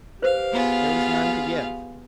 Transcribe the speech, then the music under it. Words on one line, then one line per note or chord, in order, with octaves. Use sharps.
There was none to give.
G4 B4 C5 F5
B3 F4 G#4